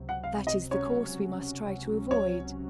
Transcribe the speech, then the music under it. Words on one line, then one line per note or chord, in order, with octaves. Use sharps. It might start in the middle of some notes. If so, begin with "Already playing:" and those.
That is the course we must try to avoid.
Already playing: C#2 C3 F#3 C4
F#5
F5
D#5
C#2 C3 F#3 C#4 F#4 C#5
C#5